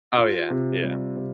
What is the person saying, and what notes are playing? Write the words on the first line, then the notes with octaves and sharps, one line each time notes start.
Oh, yeah. Yeah.
F4
C3
G3
C3